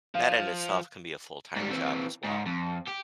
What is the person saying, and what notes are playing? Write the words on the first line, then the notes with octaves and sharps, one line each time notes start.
that in itself can be a full-time job as well.
F3 F5
G#2 G3
E3 C4
G#2
F2
G4